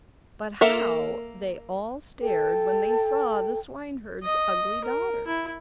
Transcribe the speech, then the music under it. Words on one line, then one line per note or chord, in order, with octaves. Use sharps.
But how they all stared when they saw the swineherd's ugly daughter!
A#3 A4 A#4 E5
A4 G5
D#5
A#4
E4